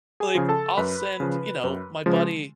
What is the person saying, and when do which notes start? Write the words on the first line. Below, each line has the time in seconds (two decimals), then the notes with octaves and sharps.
like, I'll send you know, my buddy,
0.20 G#4 G#5
0.35 C#3 F3
0.49 A4 A5
0.77 F#2 B4 B5
1.20 C#3 F3
1.64 F#2
2.06 C#3 F3 G#3